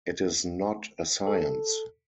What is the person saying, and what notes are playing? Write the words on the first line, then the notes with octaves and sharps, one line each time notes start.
It is not a science.
A4